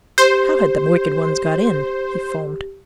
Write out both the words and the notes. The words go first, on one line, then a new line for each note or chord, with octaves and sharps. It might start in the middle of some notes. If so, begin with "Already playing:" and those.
"How had them wicked ones got in?" he foamed.
G4 C5